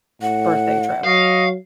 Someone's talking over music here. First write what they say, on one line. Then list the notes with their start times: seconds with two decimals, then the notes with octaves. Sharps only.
birthday trip
0.22 A2 F#5
1.04 F#3 D#5 F5 C#6